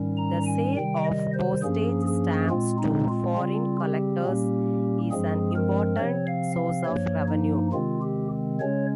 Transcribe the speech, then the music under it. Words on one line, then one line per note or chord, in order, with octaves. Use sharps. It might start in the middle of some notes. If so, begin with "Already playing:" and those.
The sale of postage stamps to foreign collectors is an important source of revenue.
Already playing: G#2 D#3 G3 C#4
A#5
G#5
C3 D#3 G3 G5
D#5
C5
G2 F3 A#3 C#4 G#4
G#4
A#2 G#3 C4 F4
D#4
F4
C#3 G3 C4 F4
G4
A#2 G3 A#3 C#4
G2 F3 G#3 C4 G#4
A#4
C3 F3 C4 C#5
F5
F5
G2 F3 A#3 C#5
D#4
C3 D#3 G#3 C4 F4
G4
C#3 G#3 C#4 C#5